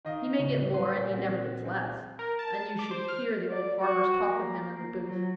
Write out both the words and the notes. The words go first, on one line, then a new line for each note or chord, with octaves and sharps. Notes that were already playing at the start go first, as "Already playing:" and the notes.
He may get more, and he never gets less; and you should hear the old farmers talk of him in the booth.
D#3 D#5 F5
D1 C#3
B4 C6
A#2 B6
C4 F#4
G#3 C4
A#4
A5
D6
C5
F6
D5
F#4
A#3
A#3
F#3